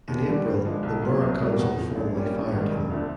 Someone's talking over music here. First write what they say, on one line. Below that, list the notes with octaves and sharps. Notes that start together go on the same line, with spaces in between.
In April the borough council formally fired him.
D#2
D3 G3
G2
D3 F3 G#3
B1
A#2 F#3
C2
B2 G3 A#3
E2
C#3 F3
A#1
A#2 G3 A#3 C#4
A#1
G#2 D#3 G3
E1
D2 D3 F3 A3